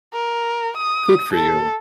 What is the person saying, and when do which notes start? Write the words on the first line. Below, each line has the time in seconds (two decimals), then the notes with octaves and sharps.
Good for you.
0.14 A#4
0.78 D#6
1.34 A4